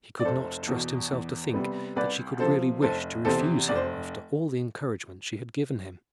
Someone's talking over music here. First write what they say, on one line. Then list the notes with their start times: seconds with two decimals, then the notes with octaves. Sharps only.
He could not trust himself to think that she could really wish to refuse him after all the encouragement she had given him.
0.19 D5
0.25 F1 A4 C5
0.67 E2 B2
1.11 E2
1.53 C3 G3 B3
1.96 C2 B4 D5
2.39 C3 F3 A4 C5
2.82 F1 A4 C5
3.25 E2 C3 A4 C5
3.68 F1 D5
3.75 C5